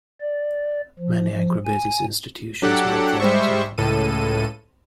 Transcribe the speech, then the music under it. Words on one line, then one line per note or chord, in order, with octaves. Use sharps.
Many agribusiness institutions work there as well.
D5
F3
F3
G#5
F#3 D4 G4 A4 F#5
G3 G#3 C5 E5 C#6
C#2 A2 A4 D#7